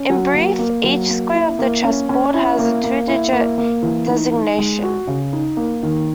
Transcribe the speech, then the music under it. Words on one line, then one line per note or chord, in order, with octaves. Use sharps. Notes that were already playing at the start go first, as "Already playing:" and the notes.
In brief, each square of the chessboard has a two-digit designation.
Already playing: C#4
F#3
A#3
A#3
F#3
A#3
E4
A#3
C#4
C#4
E4
A#3
A#3
E4
A#3
A#3
E3
D#4
D#4
G#3
F#4
C#3
D#4
A#3
D#3